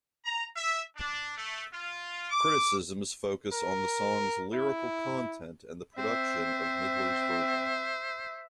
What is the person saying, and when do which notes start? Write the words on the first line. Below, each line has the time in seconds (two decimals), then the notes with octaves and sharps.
Criticisms focus on the song's lyrical content and the production of Midler's version.
0.25 A#5
0.56 E5
0.96 D4
1.37 A3
1.72 F4
2.30 D6
3.52 A#4
4.53 E4
5.98 C4 C5 E5